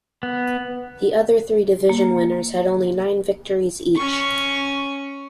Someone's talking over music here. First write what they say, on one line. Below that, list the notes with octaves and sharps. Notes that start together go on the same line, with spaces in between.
The other three division winners had only nine victories each.
B3
A#3
C#4 C#6